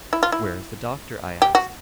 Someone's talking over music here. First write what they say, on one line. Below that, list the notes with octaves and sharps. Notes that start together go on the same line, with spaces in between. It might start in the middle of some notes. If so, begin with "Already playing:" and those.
"Where is the Doctor?" I asked.
E4
F4
E4
G4
F#4